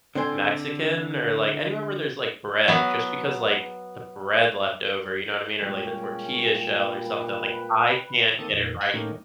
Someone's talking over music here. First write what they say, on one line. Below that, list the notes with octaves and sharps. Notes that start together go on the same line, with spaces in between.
Mexican or, like, anywhere where there's, like, bread just because, like, the bread leftover, you know what I mean, or, like, the tortilla shell or something, like, I can't get it right.
D3 C4 C5 G#5
F#3 B3
A#2 G3 G#3 C#4 G#4 G5
B4
D#3 A#3 C4 A4 A5 D#6
F2 A#2 D#3
G#5 B5 D#6 E6 F#6 G6
A2 D#3 A3 A#3 C#4 D#4